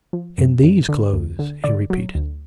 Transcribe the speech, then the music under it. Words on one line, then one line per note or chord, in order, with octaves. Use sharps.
In these clothes,' he repeated.
F3
F#2
F#2
D3
D2
D3
D3 D5
F#3
D2